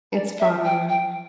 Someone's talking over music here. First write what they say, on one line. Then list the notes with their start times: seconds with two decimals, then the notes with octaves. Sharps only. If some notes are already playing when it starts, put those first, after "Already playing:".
It's fine.
0.15 D5
0.39 E5
0.65 G5
0.89 G5